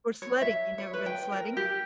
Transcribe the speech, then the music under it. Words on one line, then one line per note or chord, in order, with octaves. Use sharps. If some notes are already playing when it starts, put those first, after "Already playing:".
Or sledding. You never been sledding?
C#5
E5
C#5
B4
G5
A#4
G4